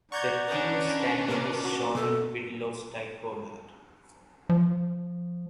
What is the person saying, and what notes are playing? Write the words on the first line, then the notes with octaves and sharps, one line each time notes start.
The team's standing is shown in win-loss-tie format.
D5 F#5 A#5 C#6 G6 G#6
D#3 C#4 D4 B4
A#2 A#4 D6
F#4
B2 A4
F3